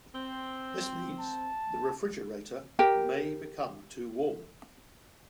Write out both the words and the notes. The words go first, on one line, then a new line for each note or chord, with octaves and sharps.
This means the refrigerator may become too warm.
C4
A5
G4 A#4 G5